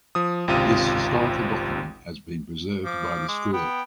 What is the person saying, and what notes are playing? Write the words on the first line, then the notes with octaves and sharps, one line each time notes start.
This historical document has been preserved by the school.
F3 D#6
G#1 C#2 C3 F4 D#7
F3 D6
G#3
B3 G5